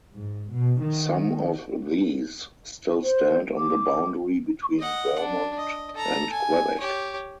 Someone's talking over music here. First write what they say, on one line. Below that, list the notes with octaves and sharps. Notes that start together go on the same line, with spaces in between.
Some of these still stand on the boundary between Vermont and Quebec.
G#2
B2
D#3
C5
D6
D#5 F#5
D4
D#5
A4 A#5
G#5
G4 C#5